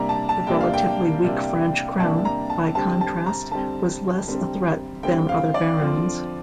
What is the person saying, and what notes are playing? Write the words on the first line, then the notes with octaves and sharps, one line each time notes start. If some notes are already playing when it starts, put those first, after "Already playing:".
The relatively weak French crown, by contrast, was less a threat than other barons.
Already playing: C3 G3 A#3 D4 A#5
A5
A5
C3 G3 A#3 D4 G5
F5
G5
C3 G3 A#3 D4
C3 G3 A#3 D4 A5
A#5
A5
D3 G3 C4 A5
A5
A#5
D3 G3 C4 A5
D3 G3 C4
D3 G3 C4 G5
F5
D5
D3 F3 C4 F4